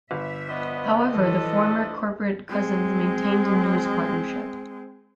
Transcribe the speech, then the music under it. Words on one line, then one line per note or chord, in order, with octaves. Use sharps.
However, the former corporate cousins maintained a news partnership.
G1 E5
F3 B3 D4 D#5
E3 A4
G#3 C4